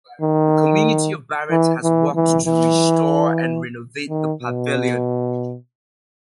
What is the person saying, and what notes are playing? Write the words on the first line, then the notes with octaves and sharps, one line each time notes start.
The community of Barrett has worked to restore and renovate the Pavilion.
D#3
E3
E3
E3
E3
D#3
B2